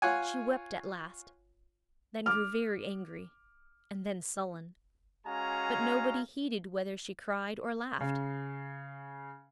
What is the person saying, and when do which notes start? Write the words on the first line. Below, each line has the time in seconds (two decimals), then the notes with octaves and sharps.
She wept at last, then grew very angry, and then sullen; but nobody heeded whether she cried or laughed.
0.02 F4 C#5 F#5 G#5
2.26 D6 F6
5.27 G#3 C#4 F#4 F5 G#5 A#5
8.01 C#3